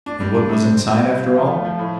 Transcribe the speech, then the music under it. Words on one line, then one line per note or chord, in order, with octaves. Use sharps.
And what was inside after all?
D4
G3
D4
C3
C4
C4
G3
C4
F4
F3
A3
F3
A2